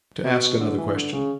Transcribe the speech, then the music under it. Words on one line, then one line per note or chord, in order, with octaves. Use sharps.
To ask another question.'
B2
D3
E3
D3
C#3